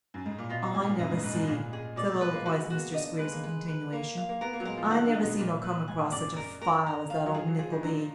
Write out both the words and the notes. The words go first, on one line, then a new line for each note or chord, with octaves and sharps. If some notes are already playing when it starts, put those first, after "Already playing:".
'I never see,' soliloquised Mr Squeers in continuation, 'I never see nor come across such a file as that old Nickleby.
F#2
G#2
A#2
B2 F4
B2
G#2 G#5
A#2
F#2 D#5
G#2
G#2 B4
G#2
B2
A#2 G#4
G#4
B2 D5
G#3
G#3 B4
A#3
G#3 F#4
G#3
B3 F#4
A#3
D4 D#5
G#3 B4
A#3
G#3 B4
B4
A#3 A#5
F5
A#3
B3 A#4
A#3
F#3
G#3 A#4
F3
D#3 F#5
D3
D#5
B2
A#2 B4
B4
G#2 G#5
F#2 D5
F#2 A#4
A#4
A#5
F5
F#3
F3 G#4
F#3
F3 G#4
D#3
D3 A#5